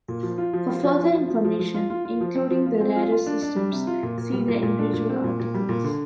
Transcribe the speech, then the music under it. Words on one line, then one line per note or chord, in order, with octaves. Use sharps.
For further information, including the rarer systems, see the individual articles.
A#2
F3
F4
F3
F4
F3
F4
F3
F3
F3
F3
F4
F4
F4
F3
C4
F3
F4
C4
F4
F4
D4
D4
G3
C3
F4
A#2
A#2
G3
A#2
A#2
D4
A#2
C4
A#2
A#2
G3
A#2
D3